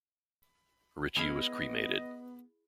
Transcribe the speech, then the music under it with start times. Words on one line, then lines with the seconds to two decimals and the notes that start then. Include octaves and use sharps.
Ritchie was cremated.
1.16 B3 E4 G#4 D#5 F5